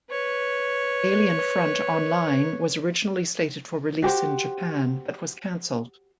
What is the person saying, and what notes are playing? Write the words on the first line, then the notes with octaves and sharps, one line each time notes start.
"Alien Front Online" was originally slated for release in Japan, but was cancelled.
B4 C#5
F#4 G4 C5